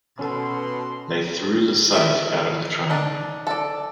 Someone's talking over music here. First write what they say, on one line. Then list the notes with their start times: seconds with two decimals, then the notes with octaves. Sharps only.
They threw the safe out of the train.
0.19 B2 C#4 A4 C6
1.95 E5
2.90 D4 D#4
3.47 A4 D5